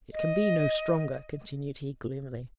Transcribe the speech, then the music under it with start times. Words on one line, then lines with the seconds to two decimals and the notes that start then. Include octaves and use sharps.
It can be no stronger,' continued he, gloomily.
0.13 D#5